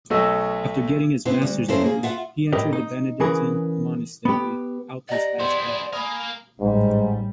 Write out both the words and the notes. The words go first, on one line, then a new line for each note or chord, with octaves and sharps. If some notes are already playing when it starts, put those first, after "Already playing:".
After getting his master's degree, he entered the Benedictine monastery Alpirsbach Abbey.
B1 A3 F#4 A4 D#5 E6
B3 C4 E4 B4 C5
D2 G3
F#2 C#3 E4 A4 A#4 C5
A#3 G#4
F4 E5 F#5
A2 G4 A#4 D#5
D#4
C#3 E3 G#4 A#4 B4
B3 G4
G4 D5 D#5 F#5 A#5
B3 E4 G#4 C5 G5
A#3 A#4 G#5 B5 D#6
A1 G#2 G3